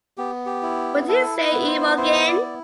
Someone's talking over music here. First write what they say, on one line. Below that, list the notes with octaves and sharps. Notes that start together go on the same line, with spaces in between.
What do you say, Imogen?
B3 G4
G4
E4
E4 A4
B4
B3
B4
C5
E4 C5
D5
E4